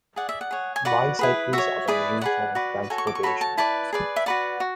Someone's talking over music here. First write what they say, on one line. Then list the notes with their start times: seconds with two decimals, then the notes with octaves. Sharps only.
Bicycles are the main form of transportation.
0.16 G#4 D5 F#5
0.29 E5
0.41 F#5
0.51 G#4 C#5
0.76 G#5
0.85 F#4 B4 D5 F#5
1.19 E4 G#4 B4
1.53 F#4 C#5 E5
1.88 E4 G#4 B4 D5
2.21 G#4 B4 D5 F#5
2.55 F#4 B4 D5
2.90 F#4 A4 C#5 G#5
2.98 C#6
3.07 D6
3.15 C#6
3.23 F#4 A4 C#5 B5
3.41 A5
3.57 E4 B4 D5 A5
3.93 G#4 B4 D5
4.16 E5
4.26 F#4 B4 D5 F#5
4.60 F#4